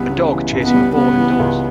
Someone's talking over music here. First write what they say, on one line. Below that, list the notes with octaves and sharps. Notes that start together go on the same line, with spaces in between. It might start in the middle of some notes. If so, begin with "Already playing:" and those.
A dog chasing a ball indoors.
Already playing: C#2 E3 G3 B3
C#3
E3
C#2
B3
G3
C#3 B3
E3
C#2